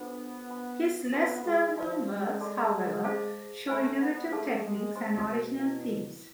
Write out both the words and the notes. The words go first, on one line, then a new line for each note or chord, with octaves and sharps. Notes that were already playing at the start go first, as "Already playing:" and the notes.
His less-well known works, however, show innovative techniques and original themes.
Already playing: B3 D4 F4 A4 C5 G#5
C5 G#5 B5
B3 F4 A4 C5 G#5 C6
G#3
F3 B4 D5 A5 C6
G#3
A4 D5 A5 C6
G#4 C5 F5 A5
A3 C5 G#5 B5
B3
A3 G#4 B4 F5 A5
G#3
G#3 C5 G#5 C6
B2
E4 B4 F5